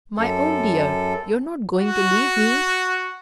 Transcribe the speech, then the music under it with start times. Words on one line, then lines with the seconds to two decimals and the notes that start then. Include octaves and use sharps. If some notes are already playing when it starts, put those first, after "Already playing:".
"My own dear, you're not going to leave me!"
0.17 F#2 A4
1.77 F#4